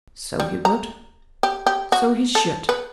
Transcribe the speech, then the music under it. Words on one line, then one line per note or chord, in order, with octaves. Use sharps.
'So he would; so he should!
G3
A#5
G4
G4
F#4
A4
B4